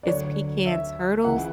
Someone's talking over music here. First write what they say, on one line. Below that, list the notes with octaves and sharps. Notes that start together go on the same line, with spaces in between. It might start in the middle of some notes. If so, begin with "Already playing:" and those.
it's Pecans Turtles.
D5
D2 D3 F#3 C#5
E5
C#2 C#3 E3 F#5